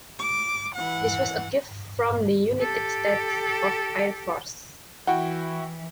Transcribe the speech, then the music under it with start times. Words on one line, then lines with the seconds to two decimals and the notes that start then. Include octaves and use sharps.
This was a gift from the United States Air Force.
0.19 D6
0.75 E3 F#5
2.60 G4 A4
5.07 E3 E4 F#4 F#5 G5